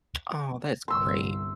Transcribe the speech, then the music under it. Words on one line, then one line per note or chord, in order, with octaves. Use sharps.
Aw, that's great.
G1 C2 C6 E6